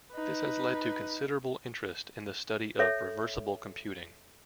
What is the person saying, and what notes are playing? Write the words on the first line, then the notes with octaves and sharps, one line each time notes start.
This has led to considerable interest in the study of reversible computing.
D#4 B4
A4 C#5 E5